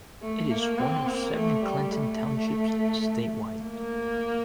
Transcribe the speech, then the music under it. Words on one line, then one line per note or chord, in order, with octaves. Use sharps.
It is one of seven Clinton Townships statewide.
A3
A#3
C4
A#3
A3
G3
A3
A#3